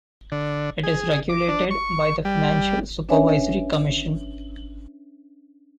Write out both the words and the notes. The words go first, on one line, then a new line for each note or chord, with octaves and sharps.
It is regulated by the Financial Supervisory Commission.
D3
G#4
D6
D4
C#6
G3
C#4 D4 B4 C#5 E5 G#5